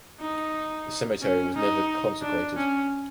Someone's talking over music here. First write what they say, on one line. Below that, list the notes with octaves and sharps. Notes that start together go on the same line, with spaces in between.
The cemetery was never consecrated.
D#4
C#4
D#4
D4
C#4